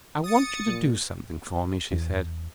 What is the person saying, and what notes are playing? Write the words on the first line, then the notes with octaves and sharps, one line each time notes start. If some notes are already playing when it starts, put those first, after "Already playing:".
"I want you to do something for me," she said.
D#6 A6 C#7
A#2
E2